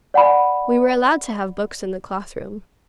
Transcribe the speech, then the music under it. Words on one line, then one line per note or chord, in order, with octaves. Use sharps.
We were allowed to have books in the cloth-room.
D5 F#5 G#5 B5